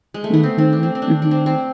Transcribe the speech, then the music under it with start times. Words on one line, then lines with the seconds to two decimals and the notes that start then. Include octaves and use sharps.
Mhm. Mhm.
0.14 G#3
0.24 A3
0.34 B3
0.43 C4
0.58 C4
0.73 D4
0.83 C4
0.95 C4
1.02 D4
1.22 D4
1.31 C4
1.46 C4